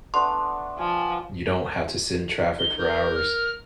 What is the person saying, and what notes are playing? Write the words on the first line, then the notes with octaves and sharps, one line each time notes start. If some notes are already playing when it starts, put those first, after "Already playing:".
you don't have to sit in traffic for hours.
A3 B3 D4 C6
F3 G#5
A4
D#4 G7
A#4 G6
F6